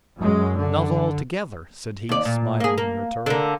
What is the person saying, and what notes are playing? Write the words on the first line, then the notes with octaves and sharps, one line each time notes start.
'Not altogether,' said he, smiling in return.
F#2 G#3
D3
D#2 D5
A#2
A#3 G#4
A#3
D3 A#3